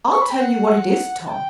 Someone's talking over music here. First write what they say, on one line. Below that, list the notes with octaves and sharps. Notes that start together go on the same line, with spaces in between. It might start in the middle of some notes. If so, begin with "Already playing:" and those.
"I'll tell you what it is, Tom."
C#6
B5
G5
F#5
A5
G5